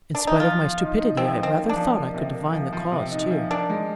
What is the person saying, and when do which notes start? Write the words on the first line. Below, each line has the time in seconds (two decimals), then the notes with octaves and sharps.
In spite of my stupidity I rather thought I could divine the cause too.
0.15 D4
0.27 D#4
0.40 F3 F4
0.60 F3
0.79 D#4
0.98 D#4
1.17 F3 C4
1.37 D#4
1.43 C4
1.56 A#3
1.69 D4
1.76 F3
1.96 A#3
2.14 C3
2.34 A#3
2.53 F3
2.73 F3
2.91 C3
3.11 D#4
3.31 F3
3.50 D4 A#4
3.70 G#3